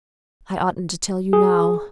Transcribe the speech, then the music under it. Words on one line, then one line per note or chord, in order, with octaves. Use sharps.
I oughtn't to tell you now.
G#4